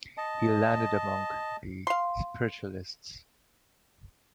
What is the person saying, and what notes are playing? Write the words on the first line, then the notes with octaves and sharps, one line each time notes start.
He landed among the spiritualists.
D#5 A5
F5 C6